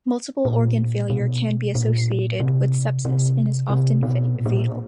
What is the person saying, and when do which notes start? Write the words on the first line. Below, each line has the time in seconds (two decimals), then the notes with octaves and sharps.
Multiple organ failure can be associated with sepsis and is often fatal.
0.45 A#2
1.10 B2
1.75 A#2
2.40 C3
3.05 C3
3.70 C3
4.03 B2
4.35 A#2
4.46 A#2